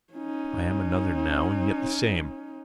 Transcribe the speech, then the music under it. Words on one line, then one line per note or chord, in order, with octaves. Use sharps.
I am another now and yet the same.
C#4 D#4